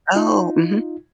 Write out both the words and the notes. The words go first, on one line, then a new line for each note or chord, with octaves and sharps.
Oh, mhm.
D#4 F4